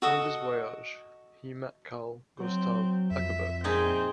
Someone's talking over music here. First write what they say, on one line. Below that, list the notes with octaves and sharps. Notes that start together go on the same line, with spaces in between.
On this voyage he met Carl Gustaf Ekeberg.
F#4 A4 D#5
F#3 C4
F2 E5
A#2 C4 D#4 G#4